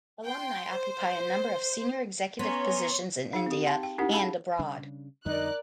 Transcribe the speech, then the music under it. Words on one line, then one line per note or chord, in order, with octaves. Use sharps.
Alumni occupy a number of senior executive positions in India and abroad.
G5 C6
C5
B3 C#4 C#5 A#5 C6
D#4 G#4 F5
C4 G4
F5 G5 A5 C6
G5
C#4 D#4 E4 G4 A#4 F#5
G#4 F5 A5 B5
C#3 G3 D4
F2 D3 G3 D#4 A#4 D5 F#6